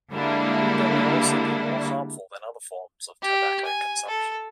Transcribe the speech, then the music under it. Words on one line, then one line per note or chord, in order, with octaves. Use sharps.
They may also be more harmful than other forms of tobacco consumption.
D3 G3 G#3 A#3 D4 E4
G4
G#5
A4